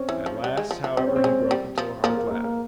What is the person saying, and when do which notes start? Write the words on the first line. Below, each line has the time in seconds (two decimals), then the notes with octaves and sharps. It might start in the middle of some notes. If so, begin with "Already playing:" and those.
At last, however, he broke into a hard laugh.
Already playing: C4 C#4
0.09 E3
0.26 F3
0.44 G3
0.57 G#3
0.71 F3
0.84 F3
0.97 G3 C4
1.07 C#4
1.16 C4
1.24 G#3
1.51 G3
1.78 F3
2.04 F3 A#3
2.17 A#3
2.31 A#3
2.44 A#3